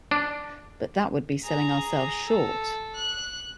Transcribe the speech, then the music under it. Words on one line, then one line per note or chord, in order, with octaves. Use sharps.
But that would be selling ourselves short.
D4
G#4 A#5
A4
F#6